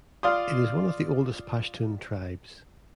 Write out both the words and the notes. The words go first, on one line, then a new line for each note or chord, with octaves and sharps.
It is one of the oldest Pashtun tribes.
F4 D5 F5 C6 D#6